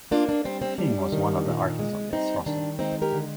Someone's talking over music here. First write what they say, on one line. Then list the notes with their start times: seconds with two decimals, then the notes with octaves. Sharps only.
King was one of the artists on its roster.
0.11 A#3 D4 F4
0.29 D4
0.45 G3 C4
0.62 C4
0.78 G3 D4
1.12 D#3
1.45 A#2
1.79 G#3
2.12 G3 C4 D#4
2.46 D#3 D4
2.79 G#3 C4 D#4
3.02 G4 A#4
3.13 D3